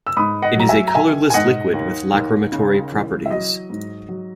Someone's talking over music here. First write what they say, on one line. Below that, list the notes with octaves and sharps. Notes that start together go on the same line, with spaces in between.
It is a colorless liquid with lacrymatory properties.
E6
G#2 B5 D#6
D#5 F#5
F#3 A#5
E5 G#5
A#5
D#3 E5 G#5
G#5
G#2 D#5 F#5
D#2
D#2
C#3
E3
E5
F#3 D#5
G#2
F#3